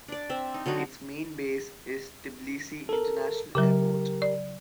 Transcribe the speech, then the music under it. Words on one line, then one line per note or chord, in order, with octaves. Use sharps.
Its main base is Tbilisi International Airport.
D4 D5
C4 E5
D#4
D3 F#3 D#4 F#4
A4 A#4
C#3 F#3 G4 A#4
D5